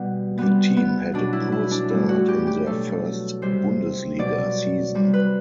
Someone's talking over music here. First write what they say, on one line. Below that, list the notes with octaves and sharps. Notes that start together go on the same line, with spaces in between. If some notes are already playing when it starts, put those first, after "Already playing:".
The team had a poor start in their first Bundesliga season.
Already playing: B2 G3 B3
C3 G3 B3
B3
B2 F#3 D4
E4
E4
D4
A2 G3 E4
F#4
G4
G4
B2 F#3 A4
C3 G3 C5
B2 F#3 D5
C3 G3
B4